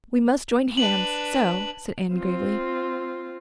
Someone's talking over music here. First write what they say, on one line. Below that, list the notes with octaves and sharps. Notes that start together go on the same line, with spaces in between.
"We must join hands--so," said Anne gravely.
D4 B4 F#7
C4 F4